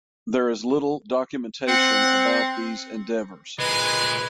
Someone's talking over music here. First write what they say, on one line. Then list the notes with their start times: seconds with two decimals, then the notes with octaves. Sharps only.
There is little documentation about these endeavors.
1.68 C4 F#5
3.59 A#2 G#3 G#4 B4 D#5 G#5